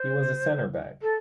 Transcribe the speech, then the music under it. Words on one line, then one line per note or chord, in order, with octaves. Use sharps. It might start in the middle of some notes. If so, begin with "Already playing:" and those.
He was a centre back.
Already playing: C5
A4